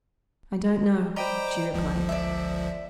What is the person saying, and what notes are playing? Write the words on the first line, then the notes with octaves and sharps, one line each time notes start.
"I don't know," she replied.
C5 D5 D#5 G5 A#5 B5
G1 C#2 F3
D5 E5